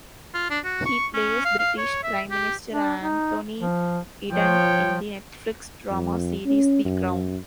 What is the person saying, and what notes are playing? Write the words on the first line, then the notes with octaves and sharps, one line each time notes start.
He plays British Prime Minister Anthony Eden in the Netflix drama series, "The Crown".
F4
D4
F#4
C#6
C#4
F5
F5
C#5
E5
G4
D4
D#4
F3
F3 C#5 G5
F2
C#4
F#2